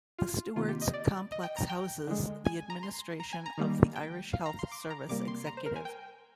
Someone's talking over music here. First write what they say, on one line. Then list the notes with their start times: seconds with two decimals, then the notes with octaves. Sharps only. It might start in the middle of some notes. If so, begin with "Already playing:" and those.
The Stewarts complex houses the administration of the Irish Health Service Executive.
0.19 F4
0.56 C3 D#3 A#3 F4
0.69 G4
0.81 D#5
0.94 D5
1.32 D#5
1.43 G5
1.57 A#5
1.69 G5
2.07 D3 G#3
2.45 G#5
2.70 A#5
2.83 C6
3.20 A#5
3.33 G#5
3.46 A#5
3.58 D#3 G3 A#3
3.96 G5
4.33 F5
4.46 A#5
4.59 C6
4.71 D6
4.90 A#5
5.09 C3 G3 A#3 D6
5.28 C6
5.47 A#5
5.57 C5
5.66 A#4
5.76 G#5
5.85 G5